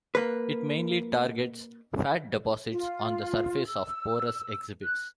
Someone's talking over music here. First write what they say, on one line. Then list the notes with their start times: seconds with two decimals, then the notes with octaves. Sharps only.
It mainly targets fat deposits on the surface of porous exhibits.
0.15 A#3 B4
2.71 F4
3.66 E6
4.83 F#6